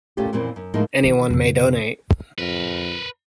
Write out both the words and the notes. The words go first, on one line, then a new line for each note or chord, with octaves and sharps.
Anyone may donate.
A#2 A3 C#4 F4 G4
F2 A#2 E3 A#3 C4 C#4
F#2
A2 F3 G#3 A#3 D#4
D#3 E3
F2 C#3
F2 A#4 B4